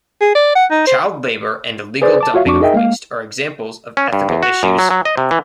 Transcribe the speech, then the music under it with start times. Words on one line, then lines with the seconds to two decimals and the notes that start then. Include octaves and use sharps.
Child labour and illegal dumping of waste are examples of ethical issues.
0.21 G#4
0.35 D5
0.55 F#5
0.71 D#4
0.87 C5
2.02 G#4 B4 C5 D5
2.21 A5 D6
2.34 F4 F#4 C#5 E5 F5
2.46 F2 D4 F#4 C#6 D6
2.60 D#4 G#4 A#4 D#5 E5 G5
2.74 G#3 A#3 F5
3.97 C#4
4.13 G2
4.29 E2
4.43 F#4
4.63 F#2
4.79 F#3
4.91 F#3
5.05 D#5
5.17 C3
5.31 E3